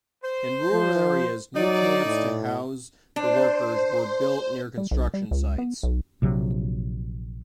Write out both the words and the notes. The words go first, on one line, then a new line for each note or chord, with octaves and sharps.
In rural areas, new camps to house the workers were built near construction sites.
C5
F3
F#3 D#4 D5
A2
D4 C5
G3
B1
G3
C#2
B3
B1
A#1 C3 F#3